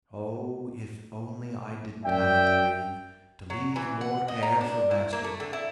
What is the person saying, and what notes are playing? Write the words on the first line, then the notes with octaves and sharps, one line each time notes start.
"Oh, if only I didn't have to breathe, to leave more air for master!"
F#2 D5 E5 G5
F#3
E3
F#5
D#5
A#5
D4
E4
A#3
A3
D3
E4